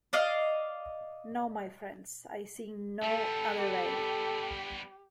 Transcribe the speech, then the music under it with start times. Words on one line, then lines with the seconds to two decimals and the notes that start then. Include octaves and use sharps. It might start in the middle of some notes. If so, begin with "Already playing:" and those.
No, my friends, I see no other way.
0.13 D5 D#5 F5
3.03 G3 B3 A4
3.59 G4 A4